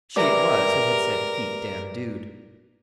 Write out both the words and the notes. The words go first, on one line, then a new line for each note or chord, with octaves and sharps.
She it was who had said "Heap dam dood."
G4 G#4 A#4 B4 D5 E5 D6